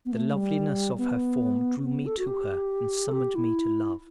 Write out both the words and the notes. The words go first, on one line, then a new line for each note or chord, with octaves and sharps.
The loveliness of her form drew me to her and summoned me to love.
B3
A3
G3
B3
B3
A4
F#4
G4
A4
G4
E4